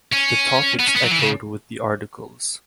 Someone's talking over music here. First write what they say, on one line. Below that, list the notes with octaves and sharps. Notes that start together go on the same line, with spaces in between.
The topics echoed with the articles.
C#4
B3
C#4
B3
F#3
E3
C#3